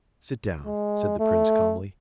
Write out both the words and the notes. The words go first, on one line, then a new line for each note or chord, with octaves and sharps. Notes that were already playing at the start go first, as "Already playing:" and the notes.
"Sit down," said the Prince calmly.
G#3
A3